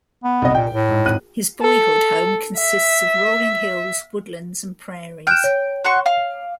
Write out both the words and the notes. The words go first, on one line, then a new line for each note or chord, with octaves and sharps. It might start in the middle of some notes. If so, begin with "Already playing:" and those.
His boyhood home consists of rolling hills, woodlands, and prairies.
B3
C2 D#5
A#2 G5
A2
G#2
G#1 F#6 D#7
A4
E5
G5 F6 F#6 E7
C#5
F#4 C6 C#6
F5